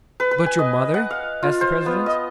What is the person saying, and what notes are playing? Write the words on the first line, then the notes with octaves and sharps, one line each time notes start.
"But your mother?" asked the president.
B4
B4
G#5
D#5
F#5
F5
F4
C5
B3
D#5